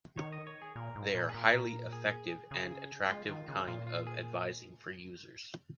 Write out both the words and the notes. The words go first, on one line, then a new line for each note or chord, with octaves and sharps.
They’re a highly effective and attractive kind of advertising for users.
D#3 C#5
D#5
C#5
G#4
A#2 A#4
G#2
A#2
G#4
A#2 A#4
G#4
C#3 G#4
G#3 F4
D#3
C#3
A#2 F4
F4
G#4